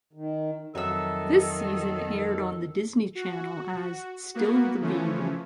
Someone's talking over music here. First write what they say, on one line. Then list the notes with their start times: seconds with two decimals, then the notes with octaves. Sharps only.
This season aired on The Disney Channel as "Still the Beaver".
0.13 D#3
0.75 F2 D#3 F#3 A4 E5 E6
3.15 F#4
4.35 A#3 B3 F#4
4.81 C#3 E3 F3 A3 C#4